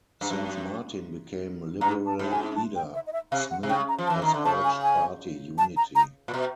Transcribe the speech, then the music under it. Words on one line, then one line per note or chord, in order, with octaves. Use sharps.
Since Martin became Liberal leader, Smith has urged party unity.
G2
F#2
G2 A#5
A5
G#2
G#5
A5
G5
E5
D#5
E5
C3 F5
F#5
C3
C#3 G5
A#5
F3
A5
E3
D#3 A#5
D3
C#3 A5
G#5
G#5
A5
A#5
A#5
A#2
B2